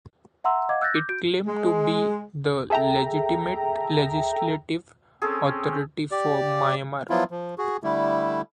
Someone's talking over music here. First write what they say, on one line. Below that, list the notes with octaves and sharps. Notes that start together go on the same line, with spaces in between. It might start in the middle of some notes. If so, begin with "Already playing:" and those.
It claimed to be the legitimate legislative authority for Myanmar.
E5 F#5 A#5 C6 E6
D#5 F5 F#5 D6 G#6
E6 F#6 G6 A6 A#6
D6 G6
F#4 G6 D7
G#3
G#4 A4 E5 G5 A#5
C4 C#4 G#4 A4
G4 D5
F3 F#3 B3 E4 F4
F3
F#4 G#4
D3 G3 A3 E4